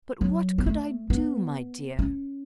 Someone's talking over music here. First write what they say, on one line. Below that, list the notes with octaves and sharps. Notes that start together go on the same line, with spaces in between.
'But what could I do, my dear?
F#3
B3
A3
B3
C#4